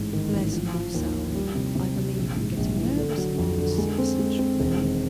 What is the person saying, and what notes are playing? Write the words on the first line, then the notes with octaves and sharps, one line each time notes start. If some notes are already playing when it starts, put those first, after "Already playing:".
"Bless my soul, I believe I'm getting nervous," announced the eccentric man.
Already playing: A1 G#2
D#3
A1
F3
F3
D#2
F3
G3
C3
C3
C3
A#1
G#2
A#1
E3
D3
F#3
F2
D3
G#3
C4
G#3
C4
E1
D#3